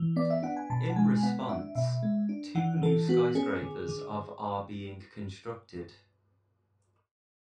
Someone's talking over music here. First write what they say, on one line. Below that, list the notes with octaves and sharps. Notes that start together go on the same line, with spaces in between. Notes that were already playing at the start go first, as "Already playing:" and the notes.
In response, two new skyscrapers of are being constructed.
Already playing: E3
B3 D5
E5
D4 F#5
G#5
B2 A5
F#5
G#3 G#5
B3 F#5
D4 E5
B2 E5
G#3
D4
E3 F#5
E3 A4
B3 F#4
C#4 G#4
D3
D3